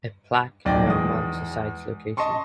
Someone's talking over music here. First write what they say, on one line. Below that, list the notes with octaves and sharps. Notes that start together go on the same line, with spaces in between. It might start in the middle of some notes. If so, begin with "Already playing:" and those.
A plaque now marks the site's location.
D1 B1 D5 G5 A#6
E2 G#3 D#6
D#5 A5 C6 C#6